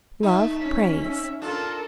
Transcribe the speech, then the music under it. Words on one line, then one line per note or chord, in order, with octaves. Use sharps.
Love prays.
A3 D#4 E5
C#4 B6
E5
D4 F4 A4 A#4